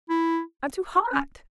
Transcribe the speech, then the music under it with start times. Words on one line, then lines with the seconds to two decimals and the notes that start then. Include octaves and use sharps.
"I'm too hot."
0.10 E4
1.13 C#4